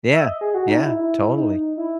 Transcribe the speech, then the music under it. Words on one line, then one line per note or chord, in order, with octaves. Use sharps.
Yeah, yeah, totally.
E5
D#5
G#4
F#4
D#4
E4
E4
D#4
E4